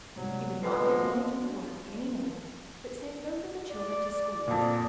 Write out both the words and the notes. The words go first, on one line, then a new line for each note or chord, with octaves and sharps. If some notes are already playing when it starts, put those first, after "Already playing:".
He would not let Nina do the work any more, but sent both of the children to school.
G#2 C3 F#3 G3
D3 F3 G#3 A4 B4 C7
F#4
D5
F2 A#2